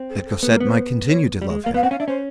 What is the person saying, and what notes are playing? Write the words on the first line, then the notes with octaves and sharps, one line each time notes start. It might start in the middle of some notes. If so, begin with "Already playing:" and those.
That Cosette might continue to love him!
Already playing: C4
A4
A4
B3 A4
A#3 A#4
B3 C5
C#5
G3
G#3
F5
A#3
B3 F5
C4 F#5
C#4 F5
D4 E5
C#4 C5